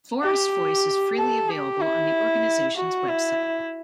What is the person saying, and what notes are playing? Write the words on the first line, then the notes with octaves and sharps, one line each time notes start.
"Forest Voice" is freely available on the organization's web site.
G4
A4
G4
E4
F#4
E4